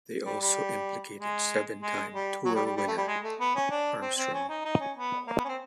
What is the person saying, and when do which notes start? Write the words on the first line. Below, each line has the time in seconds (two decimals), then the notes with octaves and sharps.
They also implicated seven-time Tour winner Armstrong.
0.25 G3
0.41 G3
1.19 G#3
1.82 G#3
2.14 G3
2.45 F#3
2.55 G3
2.66 G3
2.77 G3
2.87 A3
2.97 G3
3.07 G#3
3.24 A3
3.40 B3
3.55 C#4
3.70 D4
4.01 C4
4.17 C4
4.33 C#4
4.49 D#4
4.65 D#4
4.80 C#4
4.96 B3
5.27 A#3
5.38 B3
5.44 C#4
5.48 C4